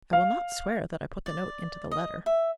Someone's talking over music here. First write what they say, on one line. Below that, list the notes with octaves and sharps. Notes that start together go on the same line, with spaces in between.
"I will not swear that I put the note into the letter."
F5
D5
D#5
E5